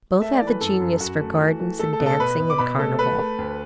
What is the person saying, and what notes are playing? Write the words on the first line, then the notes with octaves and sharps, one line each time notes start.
Both have a genius for gardens and dancing and carnival.
A3 E5
D5
E3
B4
F#2 A4
F#2
F#2 F#4
A3
E3
A3
A3 A4
A4
B2
A4
B2 B4
B2
D6
B2 B5
A3 A4
A3 B4
A3
D2